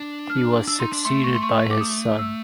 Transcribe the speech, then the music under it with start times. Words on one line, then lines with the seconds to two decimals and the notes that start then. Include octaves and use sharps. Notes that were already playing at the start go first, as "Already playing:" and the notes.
He was succeeded by his son.
Already playing: D4
0.30 F6
0.67 D4 E6
0.80 D#4 C6
0.92 D4
1.05 A3 C6
1.24 C#6
1.35 C6
1.43 C#6
1.71 D6
1.81 D#6
2.19 E6